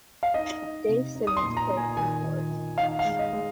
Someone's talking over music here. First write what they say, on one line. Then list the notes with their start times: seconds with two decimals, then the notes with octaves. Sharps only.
Dave Simmons played keyboards.
0.23 F5
0.34 D#4 D#5
0.62 D#4
0.89 C3
1.15 D#4
1.27 D#6
1.37 C6
1.43 A#2
1.57 A#5
1.70 A#2
1.77 G#5
1.97 D#3 G#5
2.24 D#3
2.51 D#3
2.78 D#4 F5
2.99 F5
3.05 G#3
3.19 D#5
3.33 G#3